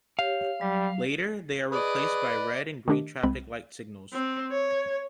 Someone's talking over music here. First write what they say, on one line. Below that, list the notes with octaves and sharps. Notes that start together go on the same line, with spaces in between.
Later they are replaced by red and green traffic-light signals.
G4 C#5 F5
F#3 G3
G#4 B4 D5 D#5
D#3 A3 D4 G4 D#5
C2 G#3 C4 B5
C4
C#5